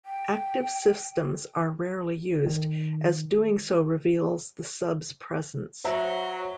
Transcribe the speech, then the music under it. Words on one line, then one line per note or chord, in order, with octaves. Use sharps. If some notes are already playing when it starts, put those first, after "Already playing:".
Active systems are rarely used, as doing so reveals the sub's presence.
G5
D#3
F#3 C5 E5 A#5